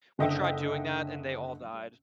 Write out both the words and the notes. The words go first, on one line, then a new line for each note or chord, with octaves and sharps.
We tried doing that and they all died.
F#1 D3 D#5 E5 G5 E6